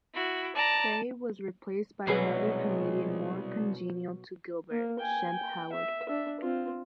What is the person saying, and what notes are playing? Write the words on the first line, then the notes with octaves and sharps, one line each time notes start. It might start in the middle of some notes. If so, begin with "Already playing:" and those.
Fay was replaced by another comedian more congenial to Gilbert, Shemp Howard.
E4 F#4
D5 A5 A#5
C2 B2 F#3 G#3 G#4 B4 C7
A#3
G5 G#5
G5
E5
D4 E5
C4 F4